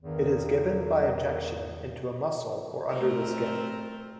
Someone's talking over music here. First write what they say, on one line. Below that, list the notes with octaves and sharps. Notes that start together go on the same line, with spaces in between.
It is given by injection into a muscle or under the skin.
E2 G2 D#3
A3 C4 A#4